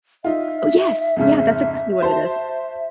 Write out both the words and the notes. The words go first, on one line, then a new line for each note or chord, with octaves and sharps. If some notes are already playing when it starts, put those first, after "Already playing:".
Oh, yes! Yeah, that's exactly what it is.
D#4 F4 E5
F2 G#2 C#3
F#4 C5 A5